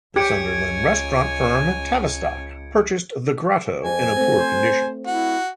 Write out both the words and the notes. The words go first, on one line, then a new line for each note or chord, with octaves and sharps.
The Sunderland restaurant firm, Tavistock, purchased The Grotto in a poor condition.
C#2 G4 C#5 G#5 G#6 C#7 D7
F2 G#5
A3 C4
C5
E4 F#4